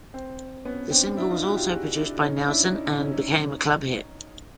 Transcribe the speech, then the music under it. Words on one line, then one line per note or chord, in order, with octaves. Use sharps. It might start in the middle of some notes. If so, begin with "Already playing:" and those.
The single was also produced by Nelson and became a club hit.
C4
B3 C#4
C4 D4
D4 E4
D#4 F4
E4 F#4
F4 G4
F#4 G#4
D4 E4
C#4 D#4
D4 E4
C#4 D#4
C#4 D#4
C#4 D#4